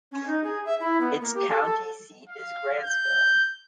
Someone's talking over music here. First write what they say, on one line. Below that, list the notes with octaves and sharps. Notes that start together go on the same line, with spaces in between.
Its county seat is Grantsville.
C#4
D#4
G#4
E5
E4
B3
A#3
G4
A4
A4
F5
G6